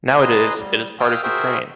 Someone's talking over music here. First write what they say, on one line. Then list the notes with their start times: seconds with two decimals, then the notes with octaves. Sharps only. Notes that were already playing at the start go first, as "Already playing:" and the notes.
Nowadays, it is part of Ukraine.
0.19 G#4 B4 D#5 A#5 C6
0.58 G3
1.00 F5 G5 D#6 E6
1.23 F#4 G#4 A#4 C5 E5 G5